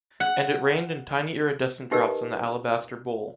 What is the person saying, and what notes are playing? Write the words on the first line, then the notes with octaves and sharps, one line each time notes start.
And it rained in tiny iridescent drops on the alabaster bowl.
F#5
D#4 G4 A#4 B4 D#5 E6